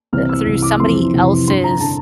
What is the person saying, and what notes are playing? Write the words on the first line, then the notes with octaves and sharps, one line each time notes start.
uh, through somebody else's,
C2 C3 E3 F6
E6
C2 C3 E3
D6
F2 C3 E3 C6
F2 C3 E3
G2 D3 C6
A#5
D3 A5